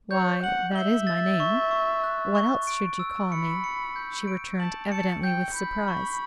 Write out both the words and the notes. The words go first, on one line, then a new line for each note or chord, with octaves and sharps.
"Why, that is my name--what else should you call me?" she returned, evidently with surprise.
C#5 G6
F#5 F#7
E5 G7
A6
C#6
C#6
F#6
C#6
D7
E6
B5 C#7
C#7
G6
D7
A5 F#7
A5 C#7
G5 G6
B5 G6
C#6